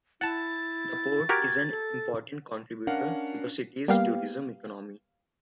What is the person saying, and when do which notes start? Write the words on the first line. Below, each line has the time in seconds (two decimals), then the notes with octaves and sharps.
The port is an important contributor to the city's tourism economy.
0.21 E4 F#5 A5 A6
1.29 F#4 G4 A#4 G#6
1.71 A4
2.87 C#4 D4 A#4 F5 F#5
3.88 G3 A#3 B3 G4 F5